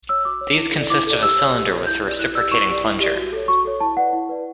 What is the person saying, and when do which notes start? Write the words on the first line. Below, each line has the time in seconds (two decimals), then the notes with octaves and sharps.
These consist of a cylinder with a reciprocating plunger.
0.09 C#5 E6
0.25 F#4 D6
0.41 C#5
0.57 E4
0.74 A4 D5
0.90 E4 D6
1.07 A4 D5
1.22 G4 E6
1.39 C#5
1.55 G4
1.71 C#5
1.87 E4 G6
2.03 G4 D5
2.19 E4 F#6
2.35 D5 E6
2.39 G4
2.51 E4 C#6
2.67 G4 D5
2.83 E4
3.00 G4 D5
3.16 F#4
3.33 A4 C#5
3.48 F#4 C#6
3.65 A4 C#5
3.80 E4 A5
3.97 B4 D5 F#5
4.13 E4
4.29 B4 D5